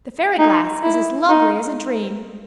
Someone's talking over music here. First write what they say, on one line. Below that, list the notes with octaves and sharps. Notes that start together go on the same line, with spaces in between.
The fairy glass is as lovely as a dream.
D#4
E4
D#4